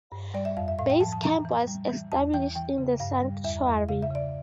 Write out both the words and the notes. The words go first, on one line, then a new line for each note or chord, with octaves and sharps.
Base Camp was established in the Sanctuary.
G2
G3 D5
E5
F2 F5
E5
A2 F5
G5
F3 A5
A5
E3 A#5
E3
G3
E3
E2 A5
E3 G5
E3 G5
C#3
G2 F5
G3
E2 E5
E2
C#3 F5
E5
C#3 D5